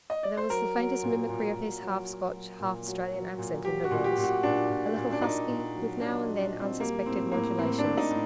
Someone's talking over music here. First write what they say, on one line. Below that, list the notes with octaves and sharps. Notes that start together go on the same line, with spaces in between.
There was the faintest mimicry of his half Scotch, half Australian accent in her voice--a little husky, with now and then unsuspected modulations.
D#5
D5
C5
F#3 A#4
F#3
A#2
A#2
A#2
F#3
F#3
F#3
A#2
F#3
F#3
A#2
F#3 G4
F#4
A#2
G4
A#2
F#4
A#2 D4
A#2
A#2
D4
A#2 D#4
A#2
F#3
F#3 D4
F#3
D4
A#2
C4
G3 A#3
A2 C4
A2 A#3
A2 C4
D4
A2
D#4
A2